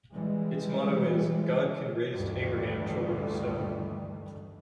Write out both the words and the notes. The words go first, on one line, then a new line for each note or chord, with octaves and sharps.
Its motto is "God Can Raise to Abraham Children of Stone".
E3 G3 G#3
D2 G2 D#3 E3 G3 A3